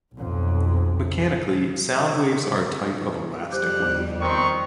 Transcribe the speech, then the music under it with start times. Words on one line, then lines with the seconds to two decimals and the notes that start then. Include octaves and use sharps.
Mechanically, sound waves are a type of elastic wave.
0.14 B1 F2
3.52 F2 G3 G4 C5 F#6
3.83 E2
4.21 D#3 C4 C#6